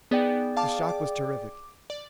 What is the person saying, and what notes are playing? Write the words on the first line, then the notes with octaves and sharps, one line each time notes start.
The shock was terrific.
B3 D#4 G#4 D5 G5
F5 A5 D6
D6
D5